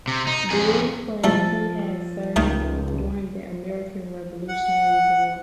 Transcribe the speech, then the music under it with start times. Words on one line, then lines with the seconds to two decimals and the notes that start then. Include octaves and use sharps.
Blue claimed he had served during the American Revolutionary War.
0.08 C3
0.27 D#4
0.50 F2 G#4
1.24 F3 G3 A3 A4
2.36 C#2 D#3 A3
4.48 F#5